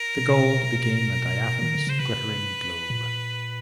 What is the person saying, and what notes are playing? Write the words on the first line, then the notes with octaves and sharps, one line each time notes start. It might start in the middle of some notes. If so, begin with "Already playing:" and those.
The gold became a diaphanous, glittering globe.
Already playing: A#4
B2
D#3
D3
C#3 C5
C3 B4
A#2